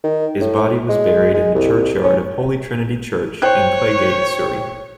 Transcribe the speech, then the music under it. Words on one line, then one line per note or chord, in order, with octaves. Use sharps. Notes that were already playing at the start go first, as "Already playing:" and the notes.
His body was buried in the churchyard of Holy Trinity Church, in Claygate, Surrey.
D#3
A2
G#3
G#3
C2
C#4
C5 C#5 G5 F#6